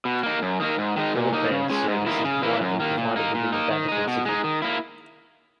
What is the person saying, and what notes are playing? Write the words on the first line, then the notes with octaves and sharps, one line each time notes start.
Broadband service is widely provided within Vatican City.
B2
A#3 D#4
F#2
D#3 A#3 D#4
G#2
D#3 G#3 D#4
A#2
A#3 D#4
C#3
G#3 C#4
G#2
D#3 A#3 E4
C#3
E3 A#3 E4
F#2
D#3 A#3
A#2
A#3 D#4
A#2
A#3 D#4
D#3
G#3 D#4
B2
G#3 D#4
D#3
A#3 E4